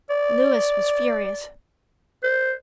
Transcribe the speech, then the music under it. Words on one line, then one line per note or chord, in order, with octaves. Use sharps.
Louis was furious.
D5
C5